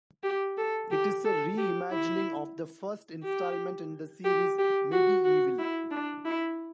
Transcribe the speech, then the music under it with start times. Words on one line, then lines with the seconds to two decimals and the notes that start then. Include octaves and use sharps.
It is a re-imagining of the first instalment in the series, "MediEvil".
0.23 G4
0.58 A4
0.91 G4
1.25 A4
1.58 G4
1.90 E4
3.24 G4
4.25 G4
4.59 G4
4.92 F#4
5.24 F#4
5.58 E4
5.91 D4
6.25 E4